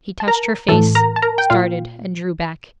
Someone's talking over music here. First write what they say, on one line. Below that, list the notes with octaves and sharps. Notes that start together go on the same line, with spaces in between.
He touched her face, started, and drew back.
A5
A#4 A#5
A2 E3 A4 A5
A#4 A#5
A5
A#4 A#5
G5
A#2 F4 F5